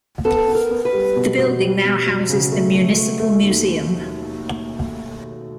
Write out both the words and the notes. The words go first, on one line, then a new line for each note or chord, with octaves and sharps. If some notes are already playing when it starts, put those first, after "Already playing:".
The building now houses the municipal museum.
B3 A4
B3
A#4
B3
B4
G3
B2
B2
G3
B2
F#3
C#3
A3
A3
A3
A3
D#2